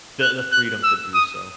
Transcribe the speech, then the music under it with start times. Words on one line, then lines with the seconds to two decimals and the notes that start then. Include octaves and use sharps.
the the freedom to do so.
0.21 F#6
0.52 F#6
0.83 E6
1.14 D#6